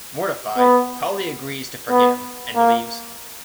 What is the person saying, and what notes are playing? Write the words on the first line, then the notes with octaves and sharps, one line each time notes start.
Mortified, Polly agrees to forget him, and leaves.
B3
B3
A#3